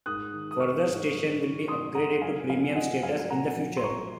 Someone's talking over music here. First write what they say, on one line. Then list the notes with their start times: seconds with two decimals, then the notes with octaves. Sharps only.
Further stations will be upgraded to premium status in the future.
0.06 G#2 D#6 F#6
0.33 D#3
0.51 D#6
0.60 D#3 C#6 F6
0.87 G#2
1.14 F#2
1.41 D#3
1.68 D#3 C6 D#6
1.95 F#2 F#5 A#5
2.21 F#2 F5 G#5
2.49 F3 F5 G#5
2.75 F3 D#5 F#5
3.03 F#2 F5 G#5
3.19 G#5
3.30 A#2 F#5 A#5
3.57 F3
3.77 C6
3.83 F3 A#5 C#6